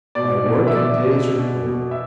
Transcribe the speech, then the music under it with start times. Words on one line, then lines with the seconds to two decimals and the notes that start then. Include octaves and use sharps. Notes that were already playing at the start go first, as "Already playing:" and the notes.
My working days are over.
0.15 B2 D5
0.46 B2
0.67 E5
0.75 B2 D5
1.06 B2
1.36 B2
1.66 B2
1.91 E5